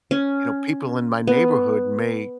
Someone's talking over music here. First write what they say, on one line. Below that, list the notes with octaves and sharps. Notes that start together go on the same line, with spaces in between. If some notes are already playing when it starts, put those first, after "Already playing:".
you know, people in my neighborhood may
C#4
B3